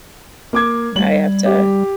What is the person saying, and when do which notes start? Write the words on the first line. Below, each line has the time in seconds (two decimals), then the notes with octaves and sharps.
now I have to
0.53 A#3 D6 G#6
0.96 G3 F#7
1.46 G4